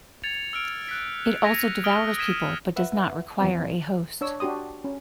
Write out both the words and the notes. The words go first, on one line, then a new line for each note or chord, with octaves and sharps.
It also devours people, but does not require a host.
G#6 A6 C#7 F7
E6 F6 D7
F#6 B6
G#6 A#6 B6 C#7 D#7 F7
D#6 F6 G#6 B6 D7 G7
D#6 G#6 B6 D#7 E7 G7
B4 E5 F#5
E2 F3 B3 C4
D4 C#5 E6
D4 F#4 G4 C6 D#6
C#4